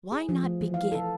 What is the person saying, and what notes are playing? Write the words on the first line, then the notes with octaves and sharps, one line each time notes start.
Why not begin?
G#4
F3
A3
E3
F5
A4